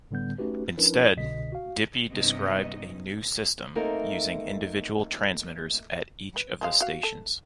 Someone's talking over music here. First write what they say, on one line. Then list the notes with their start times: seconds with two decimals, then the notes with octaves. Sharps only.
Instead, Dippy described a new system using individual transmitters at each of the stations.
0.11 A2 D3 G3 B3 G6
0.38 A3 C#4 D#4 F#4 G4 B4
0.78 F3 C#4 D4 E4 A#4 B4
1.17 C2 B2 D3 D#5 B6
1.52 F#4 F5
2.10 G2 C3 B3 C#4 D#4 D#5
3.75 F#3 A3 A#3 C4 D#4 A#4
6.36 B4
6.61 F3 G#3 F5
6.81 F#4 F5
7.03 A4